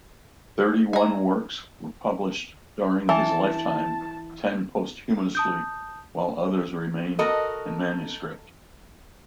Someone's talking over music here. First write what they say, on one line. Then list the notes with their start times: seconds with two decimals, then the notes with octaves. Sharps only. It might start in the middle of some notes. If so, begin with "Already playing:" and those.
Thirty-one works were published during his lifetime, ten posthumously while others remain in manuscript.
0.93 D#5 G#5 A#5
3.09 E3 A5
5.35 A5 D#6 G6
7.19 F#4 A4 A#4 D#5